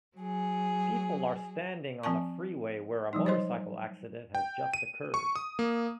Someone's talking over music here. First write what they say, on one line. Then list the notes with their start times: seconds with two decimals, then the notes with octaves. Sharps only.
People are standing on a freeway where a motorcycle accident has just occurred.
0.17 F#3 G#4
2.03 F3 C4 G#5 A5 C#6
3.13 F3 G3 D#4
3.26 F#3 C5 C#5 D#5 C6
4.35 G5
4.74 D#7
5.14 C#6
5.36 D#6
5.59 A#3